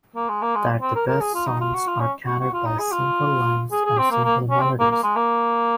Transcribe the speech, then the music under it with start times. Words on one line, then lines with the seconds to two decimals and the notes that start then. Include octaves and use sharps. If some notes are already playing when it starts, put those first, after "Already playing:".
That the best songs are carried by simple lines and simple melodies.
0.15 A#3
0.29 G#3
0.42 A#3
0.55 G#3
0.81 C4
0.95 A#4
1.08 A#4
1.21 G#4
1.34 F4
1.47 D#4
1.60 F4
1.74 F#4
1.87 F4
2.00 C#4
2.26 F#4
2.40 F#4
2.53 F4
2.66 D#4
2.79 G#4
2.92 F4
3.72 G#4
3.85 G#4
3.98 C4
4.11 A#3
4.24 A#3
4.50 C#4
4.60 C4
4.80 A#3
4.91 A#3
5.03 G#3
5.16 A#3